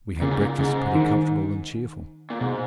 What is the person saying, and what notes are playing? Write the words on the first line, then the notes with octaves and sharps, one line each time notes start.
We had breakfast pretty comfortable and cheerful.
A#2 C#3
G#2
A#2
G#2 C#3
D#3
A#2
G#2 B2